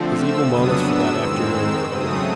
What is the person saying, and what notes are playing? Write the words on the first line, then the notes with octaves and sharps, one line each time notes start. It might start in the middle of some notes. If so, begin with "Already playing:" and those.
His evil moments for that afternoon were over.
Already playing: D3 F3 A3 C4
E6
F2 C#3 F#3 B3 D4 D#6
E6
G#2 D#3 G#3 C4
C#3 F#3 A3 C4 D#6